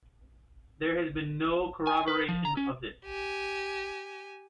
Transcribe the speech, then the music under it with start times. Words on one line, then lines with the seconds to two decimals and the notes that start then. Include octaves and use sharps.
There has been no corroboration of this.
1.87 G#5
2.08 B4
2.29 F3
2.45 A#5
2.57 C#4
3.05 G4 G#5